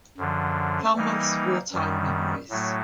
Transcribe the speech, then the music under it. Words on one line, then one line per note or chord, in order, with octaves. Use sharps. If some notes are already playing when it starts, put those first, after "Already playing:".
Falmouth's Wartime Memories.
F#2 D3 F3
E3 G3 A#3 D#4
F#2 D#3 G3
A2 F#3 A3